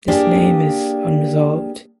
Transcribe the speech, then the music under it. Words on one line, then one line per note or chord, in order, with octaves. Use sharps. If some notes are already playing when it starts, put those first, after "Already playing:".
This name is unresolved.
A#3 D4 G4 G#4